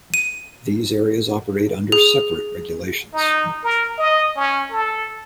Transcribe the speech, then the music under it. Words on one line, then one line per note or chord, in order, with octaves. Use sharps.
These areas operate under separate regulations.
D#7
G#4
D#4
A#4
D#5
C#4
A4